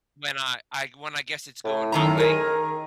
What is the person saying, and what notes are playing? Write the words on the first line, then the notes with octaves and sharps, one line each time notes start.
When I I when, I guess it's going my way.
A2
F#2 D#3 A#5
D#3 G#4 A#4